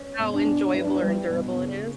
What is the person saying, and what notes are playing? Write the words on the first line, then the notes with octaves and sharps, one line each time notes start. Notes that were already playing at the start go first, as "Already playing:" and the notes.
how enjoyable or endurable it is?
Already playing: C#4
B2
D4
B2
B3 E4
D4
E4
G3
B2
C#3